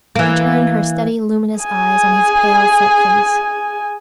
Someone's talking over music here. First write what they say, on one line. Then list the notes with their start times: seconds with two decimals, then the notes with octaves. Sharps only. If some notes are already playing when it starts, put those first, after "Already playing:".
She turned her steady luminous eyes on his pale, set face.
0.15 E3 A#3
1.59 G#4 G#5